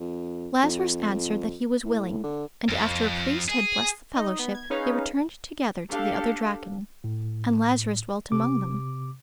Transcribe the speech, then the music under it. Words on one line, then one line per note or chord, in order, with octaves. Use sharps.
Lazarus answered that he was willing, and after a priest had blessed the fellowship, they returned together to the other Draken, and Lazarus dwelt among them.
F2
F2
A2
D3
F2
G#4
D#4 D#5
B3
G#6
C#4 D#4 G#4 B4 C#5 F5
D4 G4 A4 F5
A2
C3 D6